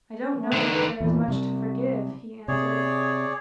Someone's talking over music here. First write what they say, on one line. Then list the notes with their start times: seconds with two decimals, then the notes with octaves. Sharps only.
"I don't know that there is much to forgive," he answered.
0.24 C#4
0.40 A3
0.53 D3 D#3
0.73 B4
1.00 E2 A#2
1.28 C3 G3
2.48 C3 G#4 C#5 D5